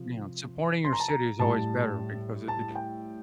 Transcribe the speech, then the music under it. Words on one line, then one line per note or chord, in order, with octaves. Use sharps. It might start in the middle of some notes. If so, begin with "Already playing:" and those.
you know, supporting your city is always better, because it it
Already playing: C3 F3
C6
A#5
A5
A#5
A2 G3 A5
A5
G5